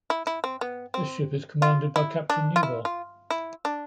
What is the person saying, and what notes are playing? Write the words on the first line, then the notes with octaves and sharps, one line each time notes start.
This ship is commanded by Captain Neuville.
E4
E4
C4
B3
C4
F4
E4
D4
F4
E4
F4
E4
D4